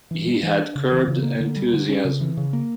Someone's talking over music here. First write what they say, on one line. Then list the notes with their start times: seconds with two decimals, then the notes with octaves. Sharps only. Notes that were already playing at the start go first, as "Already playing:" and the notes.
He had curbed enthusiasm.
0.11 E3
0.27 G3
0.43 E3
0.59 D4
0.75 C#3
0.92 E3
1.08 C#3
1.23 A#3
1.40 D3
1.56 G3
1.73 D3
1.89 C#4
2.05 C#3
2.21 E3
2.37 C#3
2.53 A#3